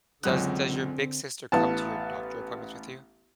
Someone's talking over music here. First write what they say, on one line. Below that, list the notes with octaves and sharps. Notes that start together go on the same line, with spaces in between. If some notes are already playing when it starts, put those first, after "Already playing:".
Does does your big sister come to your doctor appointments with you?
C#2 F#2 D3 C4 F#6
A1 B3 E4 F5 A5